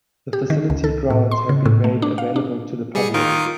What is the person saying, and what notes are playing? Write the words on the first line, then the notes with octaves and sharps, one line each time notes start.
The facility grounds have been made available to the public.
G4
D#3
C#2
A4
A2
C6
C#3
A2
A3
D4
F5
D4
G3 G#4 C#7
D#3 F4 A#4